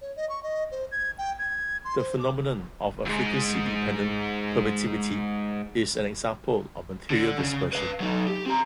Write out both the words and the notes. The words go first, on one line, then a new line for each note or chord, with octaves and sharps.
The phenomenon of a frequency-dependent permittivity is an example of material dispersion.
C#5
D#5
C#6
D#5
C5
G#6
G5
G#6
C6
C5
D6
C#2 G#2
D3
C#3
B4 F5
F#3 D#4
G4
C4 A#5